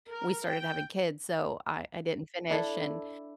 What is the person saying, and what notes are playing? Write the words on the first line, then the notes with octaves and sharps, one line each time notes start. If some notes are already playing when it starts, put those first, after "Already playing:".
we started having kids, so I I didn't finish, and
A#4
G5
D4 E4 A4